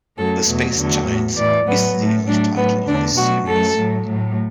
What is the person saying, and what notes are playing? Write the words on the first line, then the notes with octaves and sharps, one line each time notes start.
"The Space Giants" is the English title of this series.
F#2 F#3 A3 A4
E2 B2 F#3 A3
E2 D3 F#3 A3
A2 A3
A2 E3 A3 D5
A2 F#3 A3 B3
A2 A3
A2 F#3 A3 D4
A2 F#3 A3 B3
E2 D3 A3 D4
B2 F#3 A3 F#4
F#2 F#3 A3 A4
A2 F#3 A3
A2 F#3 A3